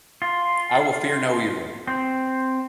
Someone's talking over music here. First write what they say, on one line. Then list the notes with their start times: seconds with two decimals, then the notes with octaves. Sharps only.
I will fear no evil.
0.22 F4
1.87 C4